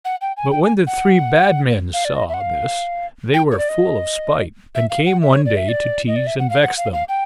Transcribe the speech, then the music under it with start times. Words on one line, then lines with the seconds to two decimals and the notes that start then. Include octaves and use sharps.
But when the three bad men saw, this, they were full of spite, and came one day to tease and vex them.
0.05 F#5
0.21 G5
0.37 G#5
0.51 G5
0.64 G#5
0.87 F#5
1.93 F5
2.05 D5
2.16 D#5
2.29 E5
2.34 F#5
2.40 F5
3.34 G5
3.52 C#5
3.58 D5
3.69 D#5
4.75 E5
4.90 F5
5.06 F#5
5.22 E5
5.33 C#5
5.45 D5
5.57 E5
5.68 D5
6.07 D#5
6.16 D5
6.27 E5
6.39 F#5
6.50 F5
6.62 F#5
6.77 F5
6.93 F5
7.08 G5